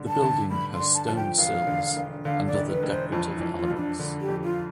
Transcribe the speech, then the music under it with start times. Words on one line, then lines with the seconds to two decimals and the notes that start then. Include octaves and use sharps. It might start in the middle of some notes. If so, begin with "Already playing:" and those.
The building has stone sills and other decorative elements.
Already playing: G2 D3
0.08 A5
0.22 D3
0.51 G2 B5
0.73 C6
0.80 D3
0.94 A5
1.06 F3 A5
1.16 G5
1.38 E1 F5
1.67 D3
1.96 E1
2.25 D3 F5
2.47 D5
2.54 E1
2.69 B4
2.83 E1
2.90 C5
3.12 F2 F4
3.34 E4
3.41 F2
3.56 F4
3.70 F2
3.77 D4
3.99 D3
4.21 G4
4.28 F2
4.43 F4